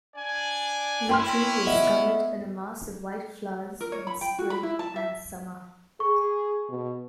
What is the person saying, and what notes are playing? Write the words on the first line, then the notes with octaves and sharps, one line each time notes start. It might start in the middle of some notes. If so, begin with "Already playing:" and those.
The tree is covered in a mass of white flowers in spring and summer.
D4 D5 G#5
C#4 E4 G5 C6 F6
B3 D#5 E5 F#5
A#4
C#5
B5
G5
F#4
B5
E4
A5
E5
G#4 C#6
B2